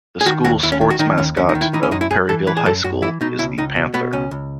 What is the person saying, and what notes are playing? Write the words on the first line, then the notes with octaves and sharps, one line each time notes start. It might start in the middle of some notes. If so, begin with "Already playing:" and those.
The school sports mascot of Perryville High School is the panther.
G#4
D#3 F#4
D#2 F#4
D#2 E4
C#4
D#3
F#4
D#3 D#4
D#2 C#4
D#2 C#4
D#4
D#3
E4
E3 D#4
C#4
F#2 D#4
E4
F#2 G#4
E3 A4
E3 B4
G#4
F#2 A4
F#2 F#4
E3 E4
B2 D#4
C#2 E4
C#2 D#4
B2
B2 B3
C#2 C#4
C#2